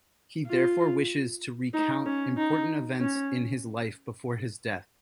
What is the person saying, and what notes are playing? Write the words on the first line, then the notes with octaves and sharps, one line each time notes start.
He therefore wishes to recount important events in his life before his death.
F4
D#4
C#4
D#4
C#4